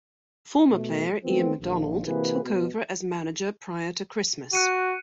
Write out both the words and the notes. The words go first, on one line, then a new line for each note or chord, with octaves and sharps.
Former player Ian MaDonald took over as manager prior to Christmas.
B2 A3
D#3 F3 A3 B3 C4
A#1 D#3 F3
C3 E3 A#3 F#4 G#4 B4
B2
F#4 F#6 C#7 D#7